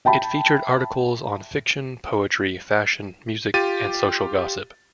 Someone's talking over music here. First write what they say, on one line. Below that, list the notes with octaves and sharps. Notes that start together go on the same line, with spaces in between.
It featured articles on fiction, poetry, fashion, music, and social gossip.
E5 G5 A5 B5
F4 G4 A6 D#7